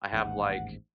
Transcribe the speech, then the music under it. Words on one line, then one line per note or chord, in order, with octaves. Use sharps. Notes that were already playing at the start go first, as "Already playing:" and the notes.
I have like,
A1 D#2 G#2 F#5